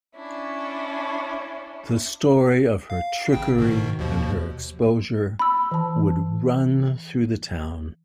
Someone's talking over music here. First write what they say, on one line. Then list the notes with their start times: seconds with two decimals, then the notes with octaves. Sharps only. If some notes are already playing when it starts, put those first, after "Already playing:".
The story of her trickery and her exposure would run through the town.
0.15 C#4 D4 E4
2.90 F5
3.33 A1 C#3 G5
3.58 G#2 B2 D#3
3.99 D#2 B2 F3
5.39 B5 E6
5.71 E3 A5